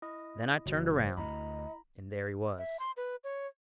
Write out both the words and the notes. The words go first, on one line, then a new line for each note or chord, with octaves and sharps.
Then I turned around and there he was.
E4 D#5 D#6
F#1 F#4
C5
D2 E4 D#5 A#5 B5
E5
C6
B4
C#5